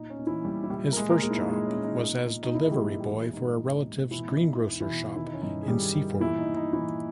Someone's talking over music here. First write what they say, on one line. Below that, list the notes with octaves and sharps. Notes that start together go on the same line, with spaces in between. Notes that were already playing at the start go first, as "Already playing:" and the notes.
His first job was as delivery boy for a relative's greengrocer's shop in Seaford.
Already playing: A#2 D#4
C#4
A#2 D#4
E3 E4
A#2 G3 G4
E4
A#2 G3 G4
A#4
A#2 G#3 G#4
A#3 A#4
A#2 G#3 G#4
E4
D#4
A#2 G#3 G#4
C#4
A#2
D#4
A#2
A#2
D#4
A#2 E3 E4
G#4
G3 G4
A#2
G3 G4
G4
E3 E4
E4
G#2 D#4
G#2
G#2
B2 E3 E4
D#4
B2
D#4
E2 D#4
E3 E4
B2
D#3 E4
D#4
C#4
G2 D#4
G#4
D#3 G3 G4
D#3
A#2 E3 E4
D#4
A#2
D#4
A#2 E3 E4